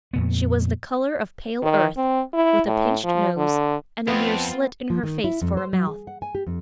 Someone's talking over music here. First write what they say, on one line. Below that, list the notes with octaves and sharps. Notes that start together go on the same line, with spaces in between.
She was the color of pale earth, with a pinched nose, and a mere slit in her face for a mouth.
F2 A#2 B3
D#3
C4
E4
A2
F3
D3
F2 B3 C4 F4
F3
D#3
E4
F2
C5
F#3
G#4
F#5
G#5
G4
F2